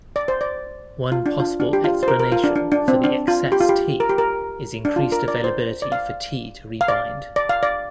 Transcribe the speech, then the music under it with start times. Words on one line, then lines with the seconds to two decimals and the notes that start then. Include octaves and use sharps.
One possible explanation for the excess T is increased availability for T to rebind.
0.16 D5
0.28 C5
0.41 D5
1.12 F4
1.26 D4
1.40 F4
1.60 D4
1.73 G4
1.84 F4
2.03 C5
2.08 A#4
2.20 A#4
2.32 F4
2.44 D4
2.56 D4
2.72 D4
2.88 C4
3.04 D4
3.28 F4
3.52 G4
3.61 F4
3.69 G4
4.00 A#4
4.10 G4
4.18 A#4
4.85 D4
4.96 F4
5.12 A#4
5.28 D5
5.44 C5
5.82 D5
5.92 F5
6.81 F5
6.88 D5
7.36 D5
7.49 F5
7.63 D5